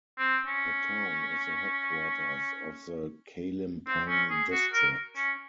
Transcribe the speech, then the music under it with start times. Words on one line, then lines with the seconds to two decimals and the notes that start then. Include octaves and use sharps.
The town is the headquarters of the Kalimpong district.
0.18 C4
0.46 C#4
3.87 C4
4.08 C#4
4.30 G#4
4.52 F#4
4.73 A#4
5.16 C#4